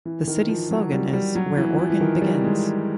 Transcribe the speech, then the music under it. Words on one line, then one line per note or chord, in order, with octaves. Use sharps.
The city's slogan is "Where Oregon Begins".
E3
D#3
F3
F#3
G3
G3
F#3
E3
F3
E3
E3
D#3
G3
G#3